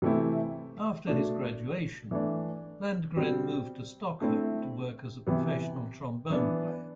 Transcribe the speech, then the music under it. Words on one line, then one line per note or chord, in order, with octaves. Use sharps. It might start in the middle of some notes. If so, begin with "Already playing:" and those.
After his graduation, Landgren moved to Stockholm to work as a professional trombone player.
C3 E3 A3 C4 E4
B2 A3 D4
E3 A3 D4
B2 G3 C4
D3 A3 C4 E4
C3 E3 B3
E3 B3 D4